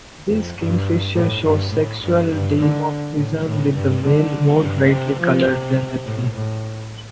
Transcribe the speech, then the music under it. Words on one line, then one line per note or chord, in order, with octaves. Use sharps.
This kingfisher shows sexual dimorphism, with the male more brightly coloured than the female.
F2
G2
A2
G2
A2
G2
G2
D3
A2
A2
G2
D3
G2
C3
F3
C3
A2
A2